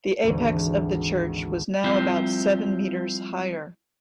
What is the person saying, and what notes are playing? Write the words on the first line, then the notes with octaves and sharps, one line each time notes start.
The apex of the church was now about seven metres higher.
G#1 D2 E3
F3 G3 C4 E4 F4 G4